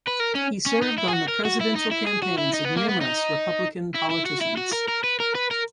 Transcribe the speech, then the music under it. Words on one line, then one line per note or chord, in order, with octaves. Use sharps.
He served on the presidential campaigns of numerous Republican politicians.
B4
A#4
C#4
C#4
D#4
E4
G#4
F#4
A#4
F#4
E4
D#4
E4
G#4
F#4
E4
D#4
B3
A#3
B3
D#4
E4
E4
F#4
E4
F#4
A#4
A#4
B4
A#4
B4
A#4